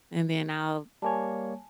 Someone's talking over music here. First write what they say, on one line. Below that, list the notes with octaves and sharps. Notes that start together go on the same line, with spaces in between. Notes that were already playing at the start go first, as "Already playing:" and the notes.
and then I'll,
G3 A#3 C#5 G#5 A5